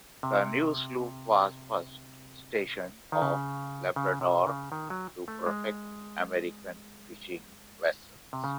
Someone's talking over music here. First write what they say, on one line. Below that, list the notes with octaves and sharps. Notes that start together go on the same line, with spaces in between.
The new sloop was first stationed off Labrador to protect American fishing vessels.
C3
D#3
C#3
C#3
C3
C#3
D#3
F#3
A3
G#3
C3
C#3